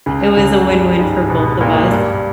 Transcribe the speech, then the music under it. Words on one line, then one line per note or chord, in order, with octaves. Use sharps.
It was a win-win for both of us.
C#2 C#3
C#2 C#3
G2 G3
G#2 G#3
B2 B3
A#2 A#3
G2 G3